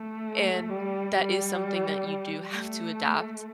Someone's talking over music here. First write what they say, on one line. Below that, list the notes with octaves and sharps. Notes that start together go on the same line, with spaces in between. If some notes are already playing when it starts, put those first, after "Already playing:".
And, that is something that you do have to adapt,
Already playing: A3
G3
G3
A3